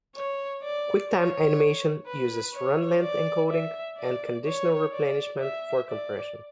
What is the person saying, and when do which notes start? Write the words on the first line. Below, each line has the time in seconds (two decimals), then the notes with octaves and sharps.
QuickTime Animation uses run-length encoding and conditional replenishment for compression.
0.16 C#5
0.63 D5
1.11 C#5
2.07 B4
2.54 C#5
3.02 D5
3.50 E5
3.98 D5
4.46 C#5
4.92 D5
5.41 E5
5.89 D5